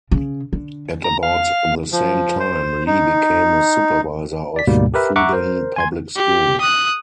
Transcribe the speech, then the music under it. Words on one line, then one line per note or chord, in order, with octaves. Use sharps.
At about the same time, Li became a supervisor of Fudan Public School.
C#3
D3
A#5
F5
F3
C5
D#4
D5 B6
D2 G#2 B2 G3 A#3
G4 A#4 B4 E5
E5 F#5 A#5 C#6 D6 F#6
A#4 C5
G#5 C6 G#6
G4
D#6 F#6